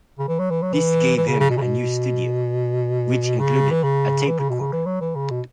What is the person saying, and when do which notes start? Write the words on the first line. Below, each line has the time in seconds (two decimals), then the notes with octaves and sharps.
This gave him a new studio, which included a tape recorder.
0.19 C#3
0.29 E3
0.39 F#3
0.51 E3
0.62 F#3
0.73 E3
1.17 E3
1.28 C#3
1.40 C#3
1.50 B2
1.58 C#3
1.62 B2
3.40 C#3
3.71 E3
3.84 C#3
4.28 E3
4.39 C#3
4.50 B2
4.60 C#3
4.73 E3
4.86 F#3
5.01 E3
5.16 C#3
5.31 B2